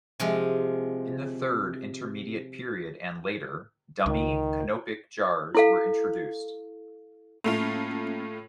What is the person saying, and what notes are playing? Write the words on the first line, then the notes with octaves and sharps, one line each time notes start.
In the Third Intermediate Period and later, dummy canopic jars were introduced.
C3 F3 G#3
C#2 D#3
E4 A4 F5
A2 A3 A#3 C#4 F4